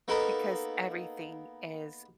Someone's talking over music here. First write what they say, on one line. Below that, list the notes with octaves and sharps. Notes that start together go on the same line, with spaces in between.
because everything is
A#3 B3 D#4 A4 A#4